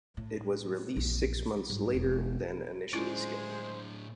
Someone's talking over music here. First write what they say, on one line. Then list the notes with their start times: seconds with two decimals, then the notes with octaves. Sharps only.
It was released six months later than initially scheduled.
0.17 A2
0.96 A#1 E2
1.70 G#2 G3
1.94 E1
2.93 A2 G#3 C#4 D4 E4 F4 C5